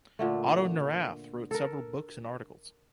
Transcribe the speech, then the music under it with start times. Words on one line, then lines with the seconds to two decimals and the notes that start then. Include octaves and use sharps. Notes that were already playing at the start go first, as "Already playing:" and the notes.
Otto Neurath wrote several books and articles.
0.19 A#2 D3 A3
1.51 A4 A#4